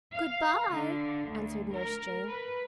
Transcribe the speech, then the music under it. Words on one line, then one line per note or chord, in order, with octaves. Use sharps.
"Good-bye!" answered Nurse Jane.
F5
D3
D2
A#4
B4